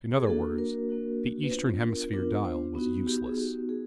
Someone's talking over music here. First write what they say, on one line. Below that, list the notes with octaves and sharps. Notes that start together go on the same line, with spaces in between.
In other words, the eastern hemisphere dial was useless.
G#4
A#3 D4 F#4 A4
A#4
A#3 D4 F#4
B4
B3 D4 F4 C5
A#4
B3 D4 F4 A#4
C5
B3 D#4 F#4
G4
G#4
B3 D#4 F#4 G4
G#4